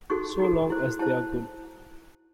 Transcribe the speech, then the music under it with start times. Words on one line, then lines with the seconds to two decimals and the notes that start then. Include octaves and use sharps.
So long as they're good.
0.10 D#4 F#4 A4 C#6
0.39 D#4 F#4 A4
0.70 E4 C5
0.99 E4 C5 A5